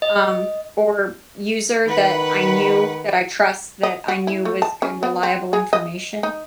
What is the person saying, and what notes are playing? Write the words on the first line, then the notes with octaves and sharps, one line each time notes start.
um, or user that I knew that I trust, that I knew was good reliable information,
D#5
D#3 B4 F#5 B5
D#5
F#4
E4
A3
A5
C#4
B3
C4
G#4
D#5
D#4